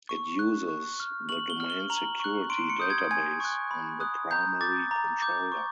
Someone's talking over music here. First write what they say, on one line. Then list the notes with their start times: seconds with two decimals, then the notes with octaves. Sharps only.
It uses the domain security database on the primary controller.
0.09 C#6
0.39 F#6
0.68 C#6
1.00 F6
1.29 C#6 F#7
1.50 G7
1.60 F6
1.70 G7
1.90 A#5 F#7
2.20 C#6 F#6
2.49 C6 D7
2.70 C#7
2.80 D#6 G6
2.90 G#6
3.11 G#5 G#6
3.40 C#6 F#6
3.71 B5
4.00 D#6 F#6
4.31 A#5 G6
4.61 D6 G6 A6
4.91 A#5
5.22 D6 G6
5.52 C#6